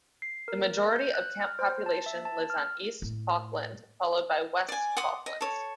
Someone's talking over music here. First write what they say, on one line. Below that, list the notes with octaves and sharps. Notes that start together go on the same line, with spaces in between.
The majority of the Camp population lives on East Falkland, followed by West Falkland.
C7
A#4
G6
F#6
F6
C5
A5
E5
A5
F6
A2
D5 G#5
F#5 C6 D6 D#6
D#5
A4 C#5